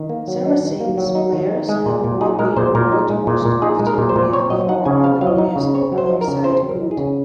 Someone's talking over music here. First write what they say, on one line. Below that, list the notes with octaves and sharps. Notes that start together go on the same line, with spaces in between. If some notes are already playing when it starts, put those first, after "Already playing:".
Saracens players have won the award most often with four other winners alongside Goode.
Already playing: D#3
A#3
F#3
D#4
D#3
A#3
F#3
D#4
D#3
D#4
G#3
A#2
A#2
D#4 G#4
G#3 A#4
A#2 C5
A#2 A#4
D#4
G#3
A#2
A#2
D#4 G#4
G#3
A#4
A#2
C5
A#2
C4 C#5
F#3 D#5
D#4 F#5
C#3 G#5
C4 F5
F#3 F5
D#5
D#4
F5
C#3
C4 C#5
F#3
C5
D#4
A#4
C#3
C4 C5
F#3
A#4
D#4
G#4
C#3